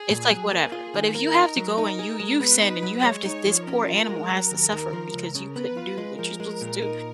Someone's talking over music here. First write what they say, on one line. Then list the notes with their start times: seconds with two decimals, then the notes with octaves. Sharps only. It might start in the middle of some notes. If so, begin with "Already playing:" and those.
it's like, "Whatever." But if you have to go and you you sin and you have to this poor animal has to suffer because you couldn't do what you're supposed to do,
Already playing: G#4
0.10 A#2
0.31 F#3
0.51 A#3 G#4
0.72 F4
0.94 D#3
1.14 A#3 A#4
1.36 D#4
1.57 F#3
1.78 D#4 A#4
1.99 G#4
2.20 G#3
2.40 B3 B4
2.62 D#4
2.82 F#3
3.04 G#3 C#5
3.25 D#4
3.46 F3
3.66 C#4 A#4
3.88 F4
4.09 G#3
4.30 F#3
4.51 D#2
4.72 D#3
4.93 F3
5.14 C#2
5.35 C#3
5.56 B3 B4
5.77 F4
5.98 G#3
6.18 F3 A#4
6.40 G#3
6.61 A#2
6.82 D#4